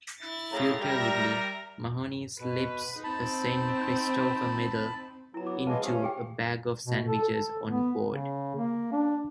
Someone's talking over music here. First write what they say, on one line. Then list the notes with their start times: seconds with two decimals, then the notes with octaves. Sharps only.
Furtively, Mahoney slips a Saint Christopher medal into a bag of sandwiches on board.
0.19 E4 A6
0.52 A2 C#3 A#5
0.81 G3 A#4 E5 A#6
2.40 B2 B4
3.04 C4 D#4 A5 B5
5.34 F#3 B3 E4 A#5
5.47 D6
5.67 E3 G#3 B4 F5 A5 D6
5.83 C#3 A3 C#4 G4 C5 D#6
6.02 G4 G#4 G5
6.86 B2
7.06 A4
7.24 A4
7.67 B3
8.06 C#3
8.56 A#3
8.92 D4